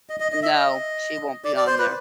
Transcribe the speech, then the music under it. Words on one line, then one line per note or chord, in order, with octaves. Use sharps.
No. She won't be on there.
D#5
D#5
D#5
E5
D#5
D5
D5
C5
B4